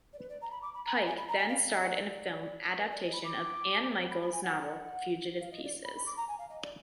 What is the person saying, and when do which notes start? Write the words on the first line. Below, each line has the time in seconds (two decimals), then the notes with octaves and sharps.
Pike then starred in the film adaptation of Anne Michaels's novel "Fugitive Pieces".
0.13 D5
0.19 B4
0.29 D5
0.41 A#5
0.51 B5
0.62 D6
0.74 B5
0.85 A#5
0.95 G#5
1.06 G#5
1.17 B5
1.28 A#5
1.39 G#5
1.49 F5
1.71 D#5
1.82 D5
1.93 D5
2.80 B4
2.91 D5
3.02 D#5
3.13 B5
3.24 D6
4.11 B5
4.22 B5
4.33 G#5
4.43 F#5
5.41 F5
5.52 D#5
5.63 D5
5.84 B5
5.96 B5
6.06 D6
6.17 A#5
6.28 G#5
6.39 F5
6.50 D#5
6.62 D5